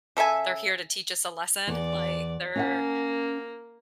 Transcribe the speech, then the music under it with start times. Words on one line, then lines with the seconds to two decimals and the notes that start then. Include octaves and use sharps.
they're here to teach us a lesson. Like, they're
0.17 C#3 A4 E5 G#5
1.68 E2 D5
2.56 A#3 C#4 F5 F#5